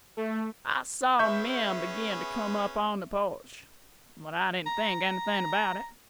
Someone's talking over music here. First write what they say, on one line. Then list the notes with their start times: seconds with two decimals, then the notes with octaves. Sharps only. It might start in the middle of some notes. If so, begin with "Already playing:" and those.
I saw men begin to come upon the porch, but I didn't think anything about it.
0.17 A3
1.19 B3 C#4 G#4 E5 C#6 G6
4.66 A#5